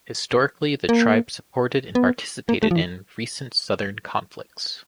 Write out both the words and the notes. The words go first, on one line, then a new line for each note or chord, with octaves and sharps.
Historically the tribe supported and participated in recent southern conflicts.
A#3
B3
A#3
A3
F3
E3